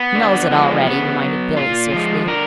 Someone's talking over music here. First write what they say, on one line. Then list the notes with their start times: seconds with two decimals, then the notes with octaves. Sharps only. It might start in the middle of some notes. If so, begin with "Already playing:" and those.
"He knows it already!" reminded Billie swiftly.
Already playing: B3
0.15 D3
0.51 F3 G#3
0.86 C#3 B3
1.22 F#3
1.57 A#2 F4
1.92 F3 G#3
2.27 D3 A#4